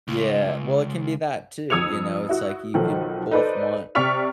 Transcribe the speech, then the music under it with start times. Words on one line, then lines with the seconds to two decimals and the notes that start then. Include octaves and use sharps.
Yeah. Well, it can be that too, you know? It's like you could both want
0.08 C#2
1.70 F2 D#6 E6 G#6 C#7 F7
2.29 E4 F#4
2.74 B1 D#3 F3 A4
3.31 D#4 A4 B4 C5 D5
3.95 C3 D5 C#6 F6 B6 F7